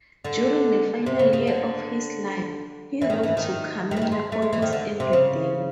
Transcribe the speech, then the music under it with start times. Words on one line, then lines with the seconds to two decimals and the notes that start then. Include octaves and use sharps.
During the final year of his life, he wrote to Kamila almost every day.
0.24 D3
1.06 C3
1.19 C#3
1.33 C#3
1.47 D3
3.02 E3
3.10 D#3
3.23 E3
3.37 D#3
3.91 D#3
3.97 E3
4.02 D#3
4.12 G#3
4.32 A3
4.42 G#3
4.53 E3
4.62 D#3
4.73 D3
5.00 C3
5.13 C#3